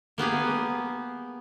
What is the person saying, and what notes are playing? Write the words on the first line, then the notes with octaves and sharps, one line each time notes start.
the pool,
A#3 B3 G4 G#4